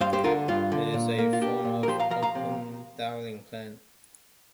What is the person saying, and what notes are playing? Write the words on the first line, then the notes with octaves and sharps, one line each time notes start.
It is a form of open dialling plan.
G2 C5 F5
G4 C5
D3 F4 A#4
G2 F4
D3
A#2
A#3
F4
D4 G4
A#2
A#4
F3 G4 C5
F5 A#5
F3 F5 A#5
F5 A#5
C3